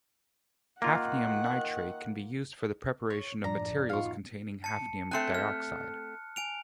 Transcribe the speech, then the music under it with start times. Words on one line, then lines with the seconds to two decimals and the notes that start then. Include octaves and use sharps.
Hafnium nitrate can be used for the preparation of materials containing hafnium dioxide.
0.82 D#3 A#3 F4 F#5
3.10 C#5
3.44 F#2 A2 F3 D4 A#5
3.89 B2 D#4 F4 F5 C#6
4.64 A5 C#7
5.11 A3 C4 G#5 F#6 C#7
5.35 F6
6.36 G#5 D7 F7